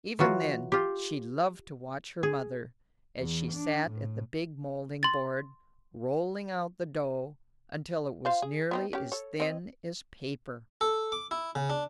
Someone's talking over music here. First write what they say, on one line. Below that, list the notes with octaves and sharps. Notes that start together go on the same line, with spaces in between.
Even then she loved to watch her mother as she sat at the big moulding-board, rolling out the dough until it was nearly as thin as paper.
E3 F#3 F4 F#4
F4 G4
G#4
E2
D4
A2
C6 A6
F4 C5 F5
G#4
B3 C4 D#4
C#4 G4
A4 C#5
C4 D#5
A4
D6
E4
C#3
D4